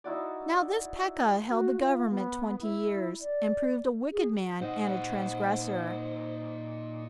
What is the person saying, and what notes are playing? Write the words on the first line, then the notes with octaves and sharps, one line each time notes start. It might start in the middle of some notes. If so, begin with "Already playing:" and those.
Now this Pekah held the government twenty years, and proved a wicked man and a transgressor.
D#4 E4 F#4 D5
F#4
F4
B3
E4
D5
G#4
A#2 D#4 C5 D#5 F#5